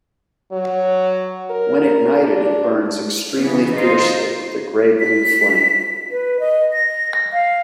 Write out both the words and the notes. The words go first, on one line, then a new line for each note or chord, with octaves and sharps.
When ignited it burns extremely fiercely with a gray-blue flame.
F#3
A#4
D4
C#3 E3 B3
D#4 F4 C5
B6
B4
D#5
A#6
F5